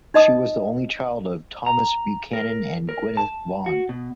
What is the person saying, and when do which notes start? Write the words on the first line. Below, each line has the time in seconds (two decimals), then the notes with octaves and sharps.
She was the only child of Thomas Buchanan and Gwynneth Vaughan.
0.14 D#4 D#5 A5 D#6
1.66 A#5
2.33 A#4
2.89 A#4
3.17 A5
3.66 F#4
3.89 B2